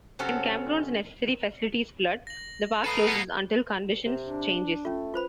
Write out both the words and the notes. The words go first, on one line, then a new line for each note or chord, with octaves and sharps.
When campgrounds and necessary facilities flood, the park closes until conditions changes.
C3 F#3 C#4 F#4 A4
A#6 F#7
A4 B4 D#6 C7 D#7
A#3 B3 C7 C#7
C3
D4
A3 C#4 F4
F4 B4 C5 B5